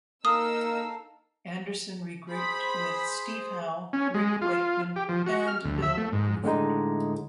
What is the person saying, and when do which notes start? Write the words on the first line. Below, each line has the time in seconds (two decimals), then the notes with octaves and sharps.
Anderson regrouped with Steve Howe, Rick Wakeman and Bill Bruford.
0.25 A#3 D#4 A4 A#4 F5 D#6 E6
2.30 G#4 C5 B5
3.93 C#4
4.14 G#3
4.41 F4
4.96 G4
5.09 F3
5.26 F#4
5.48 F6
5.65 D2
5.82 E5
5.97 A3
6.13 G#2
6.43 A2 D3 G#3 D#4